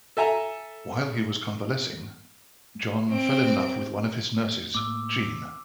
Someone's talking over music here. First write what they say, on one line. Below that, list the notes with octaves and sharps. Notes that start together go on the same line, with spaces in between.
While he was convalescing, John fell in love with one of his nurses, Jean.
A4 E5 G#5 A#5
C4 D7
A2 A#3 D6 E6